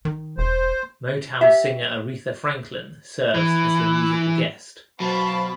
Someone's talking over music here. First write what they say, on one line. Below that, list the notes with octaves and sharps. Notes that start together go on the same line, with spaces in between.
Motown singer Aretha Franklin serves as the musical guest.
D#3
E1 C5
G4 E5
E3
B2 F#3 C5 F5 A5 B5